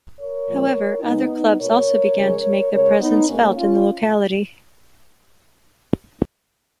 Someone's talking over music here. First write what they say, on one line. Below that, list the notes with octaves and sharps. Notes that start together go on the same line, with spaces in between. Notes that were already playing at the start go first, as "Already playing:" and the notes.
However, other clubs also began to make their presence felt in the locality.
A#4 C#5
A#2 F3 G#3
C#3 G#3 B3 D#4
B2 G#3 A#4 C#5
C#3 F3 G#3
C#3 G#3 A#4 C#5
B3 D#4
B2 G#3 A#3 C#4
C#4 F4